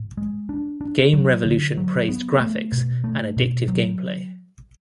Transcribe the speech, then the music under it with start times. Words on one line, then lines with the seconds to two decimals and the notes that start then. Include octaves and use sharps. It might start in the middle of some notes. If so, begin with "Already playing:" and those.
Game Revolution praised graphics and addictive gameplay.
Already playing: A2
0.17 G#3
0.49 D4
0.81 D4
1.13 F#3
1.46 D3
1.77 F#3
2.09 B3
2.41 A3
2.72 B2
3.04 A3
3.37 B2
3.68 F#3